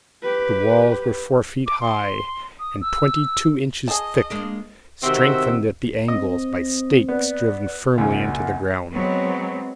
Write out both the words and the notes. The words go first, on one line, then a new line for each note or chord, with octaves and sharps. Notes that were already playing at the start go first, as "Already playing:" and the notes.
The walls were four feet high, and twenty-two inches thick, strengthened at the angles by stakes driven firmly into the ground.
G4 B4
D6
C6
D#6
E6
G#4 D#5 A5
G#3 A#3 D4
C3 D#3 C4 F#4 E5
C4 D#5
B3 D5
C#2 F#2 A#2 F#5
F#3 G#3 B3 C4